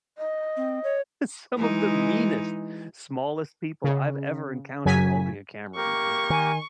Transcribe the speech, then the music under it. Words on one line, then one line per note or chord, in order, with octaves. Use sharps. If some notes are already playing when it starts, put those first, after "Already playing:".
some of the meanest, smallest people I've ever encountered holding a camera in my hands.
D#5
C4
C#5
E3 G#3 D#4
C#3
F#2 C#3 F#3 G#5 B6
A#3 G4 A#4 C#6
D#3 G#5